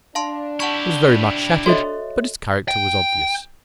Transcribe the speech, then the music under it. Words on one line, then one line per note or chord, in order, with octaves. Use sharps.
It was very much shattered, but its character was obvious.
D4 F5 A5 C6
E4 G4 F#5 A5 C#6
F#4 A4 C#5 D#5 E5
G5